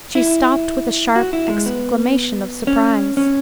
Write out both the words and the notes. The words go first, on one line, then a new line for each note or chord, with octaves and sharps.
She stopped with a sharp exclamation of surprise.
E4
F#4
E4
G#3
B3
C#4
C#4